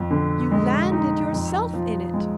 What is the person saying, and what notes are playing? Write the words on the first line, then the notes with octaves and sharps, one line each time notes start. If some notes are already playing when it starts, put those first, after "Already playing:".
You landed yourself in it.
Already playing: F2
D3
G#3
D#4
F2
F3
G#3